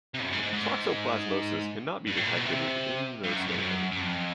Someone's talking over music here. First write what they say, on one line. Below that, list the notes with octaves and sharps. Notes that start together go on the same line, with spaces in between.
Toxoplasmosis cannot be detected with immunostaining.
C3
F#2
G#2
G#2
G#2
G2
A2
A#2
B2
C3
G2
F#2
F2
F#2
F#2
F2